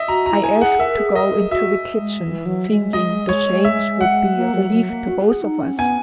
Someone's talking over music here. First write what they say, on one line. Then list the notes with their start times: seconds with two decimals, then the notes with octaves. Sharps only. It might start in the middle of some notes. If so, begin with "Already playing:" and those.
I asked to go into the kitchen, thinking the change would be a relief to both of us.
Already playing: D#5 E5
0.08 F#4 A#5
0.26 A#5
0.31 E4
0.44 G#5
0.56 G#4
0.61 F#5
0.79 A#4 E5
0.98 G#4
1.15 A#4 D#5
1.33 G#4
1.50 F#4 E5
1.99 G#3
2.22 E3
2.46 F#3
2.70 G#3
2.93 D#5
3.29 C#5
3.65 E5
4.01 F#5
4.36 A#3
4.54 F#3
4.71 F#3
4.90 A#3
5.08 F#4
5.20 F#4
5.25 G#4
5.42 D#4
5.61 C#4
5.78 B3 G#5